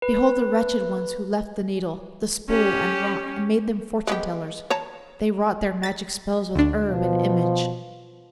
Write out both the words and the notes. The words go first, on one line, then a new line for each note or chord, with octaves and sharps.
Behold the wretched ones, who left the needle, The spool and rock, and made them fortune-tellers; They wrought their magic spells with herb and image.
B4
C#4 G4
G#3 B3 G4
C#5 A5 A#5
A6 B6
D2 D4
B2 F3